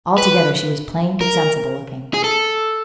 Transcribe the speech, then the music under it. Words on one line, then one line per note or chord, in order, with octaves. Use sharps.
Altogether she was plain, but sensible-looking.
B4
A#4
G#4
A4